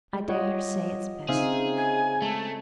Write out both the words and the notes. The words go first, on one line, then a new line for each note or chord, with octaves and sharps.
I dare say it's best.
G#3
G3 F4 G4 C#5 D#5 F#5
C#3 C4 D#4 G#4 C5 E5 F5
G#5
G#3 A3 A5